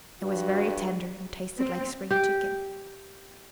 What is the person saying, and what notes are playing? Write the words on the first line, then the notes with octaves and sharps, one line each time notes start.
It was very tender and tasted like spring chicken.
G2 F#4
C4
G4